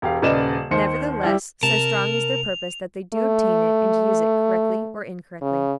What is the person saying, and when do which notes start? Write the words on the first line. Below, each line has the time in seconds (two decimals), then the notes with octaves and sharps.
Nevertheless, so strong is their purpose that they do obtain it and use it, correctly or incorrectly.
0.02 E1 G4 F5
0.22 D#1 C#3 B4 D5 D#5 E7
0.71 D#2 D#3 C5 C#7
1.23 G3 E4 G4
1.63 C3 A#4 A5 F7
3.14 A3
5.41 C#3